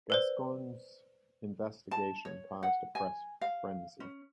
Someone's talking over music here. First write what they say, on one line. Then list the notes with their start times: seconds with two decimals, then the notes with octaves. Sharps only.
Gascoyne's investigation caused a press frenzy.
0.10 B4 C5 D5
1.91 A5
2.25 C#5
2.63 F#5
2.95 G#5
3.41 F5
4.00 C#4